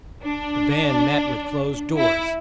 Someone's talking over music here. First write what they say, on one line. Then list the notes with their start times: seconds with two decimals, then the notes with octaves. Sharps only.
The band met with closed doors.
0.23 D4
1.98 E4